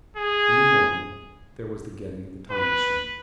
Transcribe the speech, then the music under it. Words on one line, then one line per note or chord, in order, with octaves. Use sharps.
In the morning there was the getting of the Time Machine.
G#4
B4